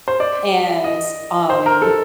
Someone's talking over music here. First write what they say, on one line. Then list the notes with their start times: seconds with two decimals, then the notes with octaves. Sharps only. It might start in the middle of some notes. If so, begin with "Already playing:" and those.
And, um,
0.08 C5
0.20 D5
0.84 D#5
1.50 C5
1.66 A#4
1.82 A4